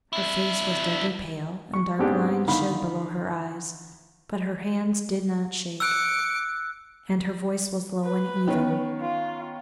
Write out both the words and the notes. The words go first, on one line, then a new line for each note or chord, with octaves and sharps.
Her face was deadly pale, and dark lines showed below her eyes, but her hands did not shake, and her voice was low and even.
D4 E4
C#6
G#2 B3 C4 D4 G4 G#4
D3 D#3 F5 B5
D6 E6 F#6 C#7
B4
D#3 B3 C#4
F4